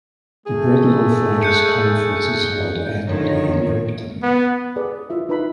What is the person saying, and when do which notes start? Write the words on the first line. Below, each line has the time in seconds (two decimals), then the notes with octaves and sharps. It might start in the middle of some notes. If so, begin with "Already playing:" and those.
The Bread Loaf Writers' Conference is held annually in Ripton.
0.46 A3 G#4
1.43 F#6 G6 C#7
3.08 D3 D#3 F3 C#5
3.53 A#2
4.22 B3
4.76 G#4 B4 D5
5.10 E4 F4 E5
5.29 D#4 B4 E5 B5